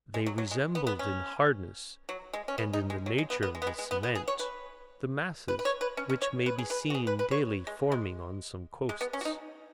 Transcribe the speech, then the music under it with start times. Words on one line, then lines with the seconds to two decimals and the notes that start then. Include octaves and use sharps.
They resembled in hardness, and in the nature of the cement, the masses which may be seen daily forming on some coasts.
0.14 G#3
0.26 F#3
0.38 F#3
0.51 G#3
0.75 B3
0.87 B3
0.99 C#4
2.09 F#3
2.33 G#3
2.48 C#4
2.58 B3
2.73 D#4
2.90 G#3
3.06 F#3
3.18 G#3
3.30 B3
3.43 B3
3.55 G#3
3.62 B3
3.67 G#3
3.78 G#3
3.91 B3
4.03 B3
4.15 G#4
4.28 C#5
4.39 B4
5.48 B4
5.59 B4
5.65 C#5
5.81 B4
5.97 C#4
6.10 C#4
6.22 C#5
6.46 B4
6.59 G#4
6.70 B4
6.90 F#4
6.95 G#4
7.07 B4
7.19 B4
7.31 C#5
7.67 G#3
7.92 G#3
8.89 G#3
9.01 B3
9.13 C#4
9.21 F#4
9.25 D#4